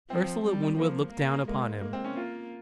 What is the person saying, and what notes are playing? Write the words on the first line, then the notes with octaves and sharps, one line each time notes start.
Ursula Winwood looked down upon him.
F3 C4
G3
F3 A#3
A#3
G#3 A#3
G#3 A#3
C4
C#4
A#3 F4